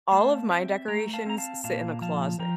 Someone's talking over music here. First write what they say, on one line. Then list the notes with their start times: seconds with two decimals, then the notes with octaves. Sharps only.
All of my decorations sit in the closet.
0.12 A3 F5 A5
0.50 C4 E5 G5
0.88 A3 G5 A#5
1.13 F5 A5
1.26 C4 A#5
1.38 F5 A5
1.64 A#2 F5 A5
2.01 F3 F5 A5
2.39 F3 G5 A#5